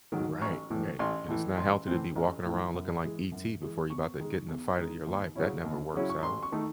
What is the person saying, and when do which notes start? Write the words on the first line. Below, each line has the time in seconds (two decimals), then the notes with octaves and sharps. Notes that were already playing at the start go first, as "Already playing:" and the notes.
Right, right, and it's not healthy to be walking around looking like ET before you 'bout to get in the fight of your life, that never works out.
0.12 G#2 D#3 F#3
0.41 A1 C#6
0.70 A2 E3
0.99 A1 C6
1.29 A2 E3
1.57 A1 C6
1.87 A2 E3 C4
2.16 A1
2.45 A2 E3 C4
2.74 F#2
3.03 E3 G#3
3.32 F#2
3.61 E3 G#3
3.90 E2 C#6
4.20 D#3 G#3 D#4
4.48 E2
4.77 D#3 G#3 D#4
5.07 D#2
5.36 C#3 F#3 C#4 E4
5.65 D#2
5.94 C#3 F#3 C#4 E4
6.09 C#6
6.23 A1 C6
6.43 C#6
6.52 D#3 A3 D#4